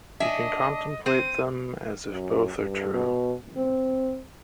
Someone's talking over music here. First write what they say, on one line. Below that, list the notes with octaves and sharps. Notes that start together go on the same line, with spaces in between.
You can contemplate them as if both are true.
D4 D#5 E5 G#5
C4 C5 D#7
F#2
G2
B2
C4